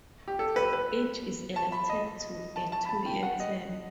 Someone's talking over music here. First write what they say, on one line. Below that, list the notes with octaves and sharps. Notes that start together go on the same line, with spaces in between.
Each is elected to a two-year term.
G4
A4
B4
B4
A5
B5
D#5
A5
A5
B5
A5
G5
F#5
D#5